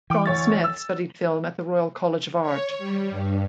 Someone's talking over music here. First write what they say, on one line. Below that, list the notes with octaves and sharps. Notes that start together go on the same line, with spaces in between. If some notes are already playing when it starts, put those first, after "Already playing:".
John Smith studied film at the Royal College of Art.
E3 G5 D6
D2 C#5 A6
E6
C#5
G3
G2